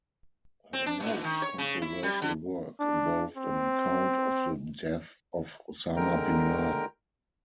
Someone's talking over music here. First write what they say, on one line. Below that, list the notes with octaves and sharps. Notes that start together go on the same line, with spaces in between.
Her most controversial work involved an account of the death of Osama bin Laden.
C4
D4
A#2
D#3
C#5
C#3
E4
G3
D3
D4
C4
D#2 D3 G#3 A#4 G5 A#5